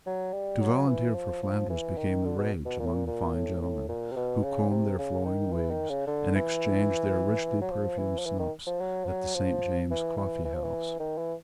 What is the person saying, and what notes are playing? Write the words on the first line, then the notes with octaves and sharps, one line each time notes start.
To volunteer for Flanders became the rage among the fine gentlemen who combed their flowing wigs and exchanged their richly perfumed snuffs at the Saint James's Coffeehouse.
F#3
G3
F#3
E3
F3
F3
E3
D#3
D3
B2
B2
A#2
A2
A#2
A#2
A2
A2
A#2
C3
B2
C#3
C3
C#3
D#3
E3
D#3
C#3
D3
E3
F#3
F3
E3
F3
E3
D#3
F3
F#3
F3
F#3
F3
E3
E3
E3
F3
E3
D#3
E3